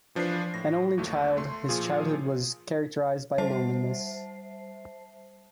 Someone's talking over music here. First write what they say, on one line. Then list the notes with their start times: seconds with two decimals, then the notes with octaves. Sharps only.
An only child, his childhood was characterised by loneliness.
0.15 E3 F3 D4 F4 B4 C7
0.54 A2 A#6
0.97 G1 D#2 A3
1.37 A3 C6
1.69 A#2 F3 F4 G#4
3.38 G3 C5 E5 A5 C7